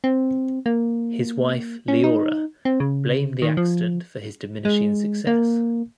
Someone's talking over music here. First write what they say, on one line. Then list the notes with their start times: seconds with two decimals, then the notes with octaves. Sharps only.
His wife, Leora, blamed the accident for his diminishing success.
0.04 C4
0.66 A#3
1.88 C#4
2.04 D#4
2.65 C4
2.80 C#3
3.42 D#3
3.57 F3
4.65 G#3
5.27 A#3